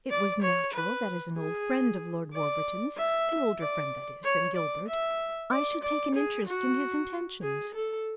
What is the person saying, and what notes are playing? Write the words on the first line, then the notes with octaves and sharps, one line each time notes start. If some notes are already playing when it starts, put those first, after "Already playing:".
"It was natural that as an old friend of Lord Warburton's--an older friend, that is, than Gilbert--I should take an interest in his intentions."
D5
C#5
B4
G#4
D5
E5
D5
C#5
D5
E5
D5
D5
G#4
F#4
G#4
A4